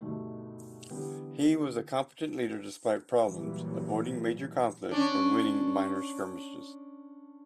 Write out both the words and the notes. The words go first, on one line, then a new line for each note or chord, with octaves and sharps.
He was a competent leader despite problems, avoiding major conflicts and winning minor skirmishes.
D2 G2 B2 D#3 A3
D3 E3 G3 B3 G4
A#2 E3 F#3 G3
C#4 D4